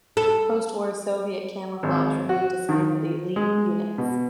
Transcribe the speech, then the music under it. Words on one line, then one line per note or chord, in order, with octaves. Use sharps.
Post-war Soviet camouflage remained a sign of elite units.
A4
G#1
F#4
D#3
G#3
B2